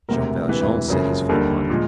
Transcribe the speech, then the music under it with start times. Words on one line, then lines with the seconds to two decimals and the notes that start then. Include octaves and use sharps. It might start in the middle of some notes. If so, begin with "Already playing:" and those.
Jean Valjean set his foot upon it.
0.09 E1 D2 C3 A#4
0.49 E1 D2 C3 E3 B4
0.88 F#1 F2 C#3 F#3 A#4
1.29 D#2 D3 G3 A#4
1.70 A#2 F3 G#3